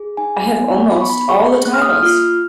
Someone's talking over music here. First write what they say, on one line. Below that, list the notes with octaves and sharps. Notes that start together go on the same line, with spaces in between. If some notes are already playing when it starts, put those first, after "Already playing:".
I have almost all the titles.
Already playing: G#4
D#4 G#5
B3
D#4 B5
C#6
B5
G#4 C#6
A#3 F#6
F6
D#6
F6
F4 F6